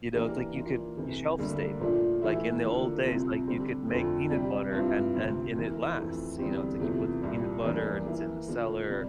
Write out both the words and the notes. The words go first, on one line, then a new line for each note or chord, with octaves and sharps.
you know? It’s like, you could you shelf stable, like in the old days, like, you could make peanut butter, and and and it lasts, you know, it’s like you put the peanut butter, and it’s in the cellar,
E3 A#3 D4 G4 A#4
E3 A#3 D4 F4
C3 E3 A3
D2 D3 G3 A#3
A#2 F3 A3 D4
A2 E3 A3 E4
D3 F3 A#3
C2 C3 F3 C4
D3 G3 C4 G4
F2 D3 F3 A3 C4
C3 G3 D4 G4
G2 F3 C4 E4
D2 C3 F3 C4
E2 E3 A#3 E4 A#4
F2 E3 A3 E4
E2 D3 G3 C4 G4
E2 C3 F3 A3
C2 A#2 G3
E2 E3 G3 A#3 D4
E3 A#3 E4
D3 F3 A#3
C3 G3 D4